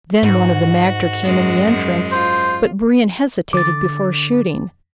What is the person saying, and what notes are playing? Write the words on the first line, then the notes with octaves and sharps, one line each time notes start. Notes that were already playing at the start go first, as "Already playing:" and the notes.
Then one of the magter came in the entrance, but Brion hesitated before shooting.
G#2 F#4
F#2 G#3
F4 C5
D3 D6 A6